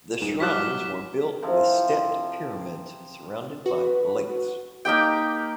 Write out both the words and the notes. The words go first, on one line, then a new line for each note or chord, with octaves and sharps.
The shrines were built with stepped pyramids surrounded by lakes.
D#1 G#2 E7
F#3 G3 E4 D6 F6 F#6 B6
C3 F3 E4
F#4 B4
A#3 D#4 G4 G5